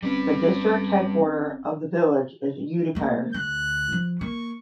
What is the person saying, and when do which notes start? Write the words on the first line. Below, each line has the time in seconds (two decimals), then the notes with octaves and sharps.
The District head quarter of the village is Udaipur.
0.03 G1 G3 C4 C#4 B4
2.95 A3 A#3
3.34 D2 F#6
3.92 F3
4.21 A#3 C#6